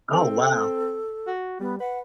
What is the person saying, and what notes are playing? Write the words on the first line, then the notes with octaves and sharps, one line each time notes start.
Oh, wow.
C4 A4
F#4
G3 B3
B4 F#5